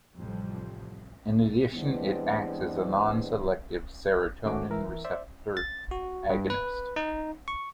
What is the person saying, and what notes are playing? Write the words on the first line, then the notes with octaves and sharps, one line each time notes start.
In addition, it acts as a non-selective serotonin receptor agonist.
A1 F2 A2 C3 F3 G3
E3 G3 G#3 B3 C4 D4
D#3 A3 C#4 F#4 D6
E3 A#4 E5
C5 D5 E5
A6
F#4
G2
B4
D#4
C#6